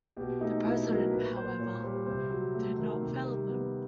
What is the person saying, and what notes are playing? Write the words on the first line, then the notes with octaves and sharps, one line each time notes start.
The President, however, did not fail them.
B2 G4
A3 D#4
B2 E4
F#3 A#4
A#2 B4
A#3 C5
A#2 C#5
G3 C5
C3 C5
F#3
A3
D#3
C3
G3
B3